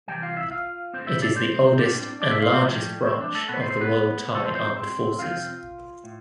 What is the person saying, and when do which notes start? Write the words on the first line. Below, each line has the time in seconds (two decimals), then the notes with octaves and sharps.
It is the oldest and largest branch of the Royal Thai Armed Forces.
0.08 C3 E3 G3 G4 G5
0.22 F4 F5
0.36 E4 E5
0.51 F4 F5
0.93 G2 D3 A3 C4 C5
1.07 E4 E5
1.22 D4 D5
1.35 C4 C5
1.78 A2 G3 C4 D4 D5
2.21 D4 D5
2.31 E4 E5
2.42 F4 F5
2.53 C4 C5
2.64 A2 F3 G3 A3 G4
3.06 C4
3.21 D4
3.34 A3 A4
3.48 B2 A3 B3 C4 B4
3.60 C4 C5
3.70 C4 C5
3.81 B3 B4
4.34 E2 C3 F3 A3 A4
4.45 C4 C5
4.55 C4 C5
4.76 C4 C5
5.19 F2 C3 F3 C4 F4 F5
6.04 A2